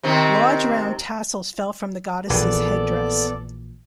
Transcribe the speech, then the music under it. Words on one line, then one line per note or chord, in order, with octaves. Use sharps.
Large round tassels fell from the goddess's headdress.
C3 D#3 C4
A#1 E3 B3 A4 D5